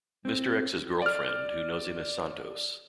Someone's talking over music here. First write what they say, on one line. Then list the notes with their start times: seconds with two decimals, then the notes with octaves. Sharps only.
Mister X's girlfriend, who knows him as "Santos".
0.25 C4
1.02 D5 F6